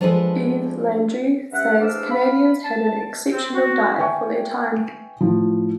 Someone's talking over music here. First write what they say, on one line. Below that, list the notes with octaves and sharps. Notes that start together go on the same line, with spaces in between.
Yves Landry says, Canadians had an exceptional diet for their time.
F3 G#3 D4 G#4 A4 B4
G2 C#4 E5 F#5
E2 D4 C5 F5 D6 E6
F5 B5
A5
C4
F#4
B4 E5 G5 G#5 C#6
A2 F3